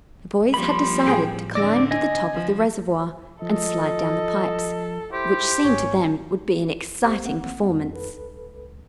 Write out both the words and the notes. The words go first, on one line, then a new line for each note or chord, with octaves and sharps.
The boys had decided to climb to the top of the reservoir and slide down the pipes, which seemed to them would be an exciting performance.
F3 G3 A#3 B5 C6
A2 G#4 G5
D3 C4 D5 D6 E6 A#6
D#5 G#5
F#1 F3
F3 A4 D#5
E4 G4 C5
G#1 C#4 C#5
A#1 B3 G4 C5
A#3 C4 F#5
F2
A4 B4
C#2